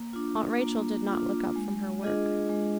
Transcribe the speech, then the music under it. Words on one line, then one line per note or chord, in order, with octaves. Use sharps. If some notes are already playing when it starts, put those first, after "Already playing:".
Aunt Rachel did not look up from her work.
Already playing: A#3
D4 F4
A#3
D4 F4
G#3
D4 F4 G#4 D#5
G#3